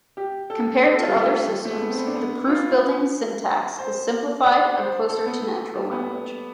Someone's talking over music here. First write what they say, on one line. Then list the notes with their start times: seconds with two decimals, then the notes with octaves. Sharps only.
Compared to other systems, the proof-building syntax is simplified and closer to natural language.
0.17 G4
0.50 A4
0.92 A4
0.99 F4
1.08 G3
1.16 A3
1.49 G3
1.65 A3
1.81 B3
1.90 C4
1.98 B3
2.07 D4
2.15 B3
2.47 F4
3.79 C5
4.43 D5
4.76 C5
5.09 A4
5.26 B3
5.43 A3
5.75 G3
5.91 B3